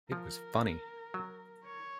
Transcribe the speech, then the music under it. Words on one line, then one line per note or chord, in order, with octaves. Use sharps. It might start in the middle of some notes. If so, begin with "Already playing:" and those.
It was funny.
F3 A#4
F#3
C#5